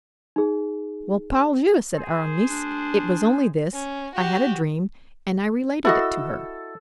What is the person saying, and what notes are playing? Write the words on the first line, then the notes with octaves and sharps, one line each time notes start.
"Well, pardieu!" said Aramis, "it was only this: I had a dream, and I related it to her."
D#4 G#4
G#4 C5
D4
C#4
F#4 G4
E4 F#4 A4 D#5 E6